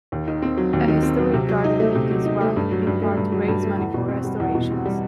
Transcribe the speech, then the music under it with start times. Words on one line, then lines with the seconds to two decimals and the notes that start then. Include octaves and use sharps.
A Historic Garden Week is run, in part to raise money for restorations.
0.12 D#2
0.27 D#3
0.42 C4
0.57 F#3
0.73 D#2
0.88 D#3
1.03 C4
1.18 F#3
1.34 C3
1.49 F#3
1.64 D#4
1.80 A3
1.95 C3
2.11 F#3
2.25 D#4
2.41 A3
2.57 G2
2.71 F#3
2.87 G2
3.02 A3
3.17 G2
3.32 F#3
3.48 G2
3.63 A3
3.78 E2
3.94 B2
4.08 C4
4.24 G3
4.40 E2
4.55 B2
4.71 C4
4.86 G3